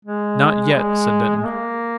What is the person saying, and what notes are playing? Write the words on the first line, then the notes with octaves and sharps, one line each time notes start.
"Not yet," said Denton.
G#3
G3
G#3
G#3
A#3